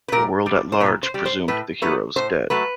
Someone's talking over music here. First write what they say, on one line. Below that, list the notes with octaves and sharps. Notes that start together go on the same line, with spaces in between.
The world at large presumed the heroes dead.
B4
A#2 A#4
G3
C5
A#2 B4
C5
G3
C5
A2 B4
F#3 A3 B4
A2 C5
F#3 A3 B4